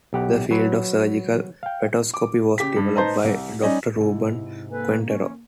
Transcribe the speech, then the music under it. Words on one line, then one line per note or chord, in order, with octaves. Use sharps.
The field of surgical fetoscopy was developed by Doctor Ruben Quintero.
B1 G4 F#5
F#3 B4
F5 G5
D6
C#3 G4 B6
G2
D#4 B4 C5 A5 A#5
C2
G3 C#4 D#4 D5 D#5
G#2 C3 E4
A#3 A4 B4 G#5
C#4